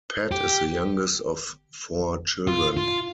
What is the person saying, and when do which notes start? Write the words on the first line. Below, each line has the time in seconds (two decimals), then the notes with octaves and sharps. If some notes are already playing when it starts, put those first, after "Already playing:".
Pat is the youngest of four children.
0.32 G4
2.47 F4
2.77 F4